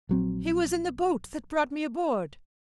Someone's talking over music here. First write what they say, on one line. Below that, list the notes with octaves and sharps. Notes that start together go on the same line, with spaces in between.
"He was in the boat that brought me aboard."
A#1 F#3 C4